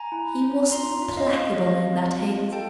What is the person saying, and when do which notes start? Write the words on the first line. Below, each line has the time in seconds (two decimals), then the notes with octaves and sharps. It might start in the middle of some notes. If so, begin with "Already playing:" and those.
He was implacable in that hate.
Already playing: G#5 A#5
0.12 E4
0.42 C#4
0.71 F4 A#5 C6
1.02 F4
1.17 D#5 F5
1.32 C#4
1.40 D#5 F5
1.62 C4 D#5 F5
1.93 C4
2.22 F4
2.52 A4 G5 A5